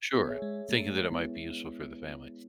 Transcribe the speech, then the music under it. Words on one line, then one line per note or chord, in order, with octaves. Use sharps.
Sure, thinking that it might be useful for the family.
B3
G#4 C#5 E5
G#3
G#3 A3
B3 E4